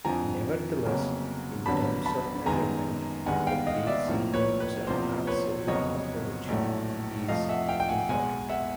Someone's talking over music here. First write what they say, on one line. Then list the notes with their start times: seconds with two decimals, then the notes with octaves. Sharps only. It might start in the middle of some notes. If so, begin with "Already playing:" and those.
Nevertheless, in terms of "measurement", the basic needs or absolute approach is important.
0.05 F2 D3 F3 G#5 A#5
0.85 G1 F2 C#3 F#3 A#3
1.66 G#1 G2 D3 F#3 B3 A5 B5
2.06 A5 B5
2.46 F#2 D#3 G#3 B3 G#5 A#5
3.26 G1 G2 D#3 G#3 B3 F#5 G#5
3.47 F5 G5
3.67 D#5 F5
3.87 D5 E5
4.07 B1 A2 F3 A#3
4.34 B4 C#5
4.60 B4
4.87 E2 C3 F3 A#3 C5
5.27 B4 C#5
5.67 G1 F2 C#3 F#3 C#5 D#5
6.48 A#1 A2 F#3 A3
7.29 F2 C3 F3 A3 D#5 F5
7.49 E5 F#5
7.69 F5 G5
7.80 G5
7.89 F#5 G#5
8.09 B1 B2 G#3 F#5 G#5
8.49 E5 F#5